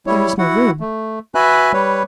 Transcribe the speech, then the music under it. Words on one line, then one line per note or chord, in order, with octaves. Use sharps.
"There is no room."
G3 E4 C#5
E4 F#4 F#5
A3
F#4 B4 E5 G#5 B5 F#6
G3 B4 C#5